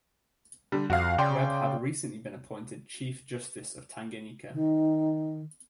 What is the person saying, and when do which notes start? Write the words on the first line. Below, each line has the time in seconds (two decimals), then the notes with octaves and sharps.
Webb had recently been appointed Chief Justice of Tanganyika.
0.72 D3 G3
0.90 F2 F#4 F5
1.18 C#3 D5 G5 C6
4.52 D#3